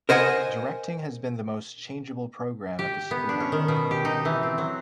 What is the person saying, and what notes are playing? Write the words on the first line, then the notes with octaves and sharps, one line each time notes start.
Directing has been the most changeable program at the school.
A#4 C5 D#5 F#5 G#5
G4
B3
D4
C#4
D#3
B2
G4
D#4
E3
C4
F#3